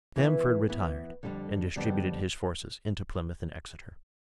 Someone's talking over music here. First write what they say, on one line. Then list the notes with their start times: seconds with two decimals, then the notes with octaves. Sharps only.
Stamford retired, and distributed his forces into Plymouth and Exeter.
0.16 E3 B3 E4 B4
0.69 E3 B3 E4 B4
1.23 F2 D3 G3 B3 D4
1.76 F2 D3 G3 B3 D4